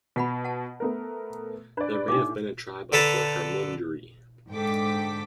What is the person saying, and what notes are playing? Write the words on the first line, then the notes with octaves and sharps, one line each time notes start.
They may have been a tribe of the Hermunduri.
B2 F4 F#5 B5
F#5 A5
A3 B3 A#4
D4 B4 D5
A2 D4 D#4 G4 D6
D3 A4 B4 A5 A#5
G#2 D3 A4 G5 D6 B6